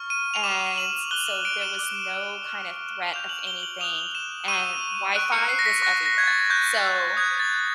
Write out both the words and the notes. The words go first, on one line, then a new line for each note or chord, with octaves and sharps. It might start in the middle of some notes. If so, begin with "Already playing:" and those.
and so there was no kind of threat of anything, and Wi-Fi was everywhere, so,
Already playing: C#6 F6
D#7
F7
D6 F6 E7
F#7
C#6 F#6 G7
F#7
D7
E7
D6 F#6
C#6 F6
D6 G6 F7
F#7
G7
F#7
D#6 F#6 F7
E7
C#6 E6 G6 D#7
C#6 F#6 D7
C#7
C7
A#6
B6
C#6 F#6 A#6
A#6
G#6
A6
C#6 F#6 G6
D#6 F#6 G#6
A6